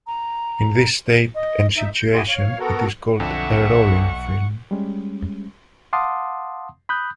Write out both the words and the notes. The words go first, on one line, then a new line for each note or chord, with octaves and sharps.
In this state and situation, it is called a "Rollin film".
A#5
D#5
D#4 E5
G6
E4 F#4 G4 D#5 G#5 C6
C#5 F5
B3 F#4 A4 A#4
B1 F2 D3 E5 F#5 C#6
G3 G#3 C#4
F5 F#5 A5 C6 D6 D#6
B5 D#6 F#6 G6